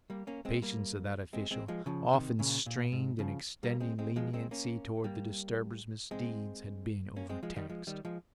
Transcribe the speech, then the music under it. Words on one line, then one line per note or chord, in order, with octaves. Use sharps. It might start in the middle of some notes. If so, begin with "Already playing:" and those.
The patience of that official, often strained in extending leniency toward the disturber's misdeeds, had been overtaxed.
G3 A#3
A#3 C#4
G#3 C4
G3 A#3
G#3 C4
G#3 C4
F3 G#3
C#3 F3
C3 D#3
A#2 C#3
A#2
G#2
C#3 F3
G3 A#3
G#3 C4
G#3 C4
F3 G#3
G#3 C4
A#3 C#4
G3 A#3
G#3 C4
A#3 C#4
G#3 C4
F3 G#3
D#3 G3
F3 G#3
D#3 G3
F3 G#3